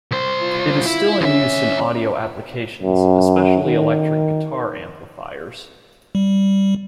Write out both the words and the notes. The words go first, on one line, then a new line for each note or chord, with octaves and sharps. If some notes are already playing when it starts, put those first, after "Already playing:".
It is still in use in audio applications, especially electric guitar amplifiers.
C2 C5
F4
E4
D#2 C#4 E5
F#2
D#3
G3